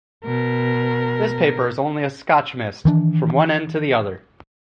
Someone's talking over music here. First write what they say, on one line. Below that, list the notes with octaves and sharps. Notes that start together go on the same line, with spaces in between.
This paper is only a Scotch mist from one end to the other.
B2 A#4
D#3 E3 D4